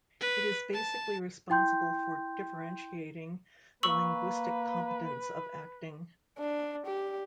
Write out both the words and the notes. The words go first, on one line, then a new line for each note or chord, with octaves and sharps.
It is basically responsible for differentiating the linguistic competence of acting.
B4
A5
E4 G5 C6 G6
A#3 B4 C#6 E6 F#7
D4
G4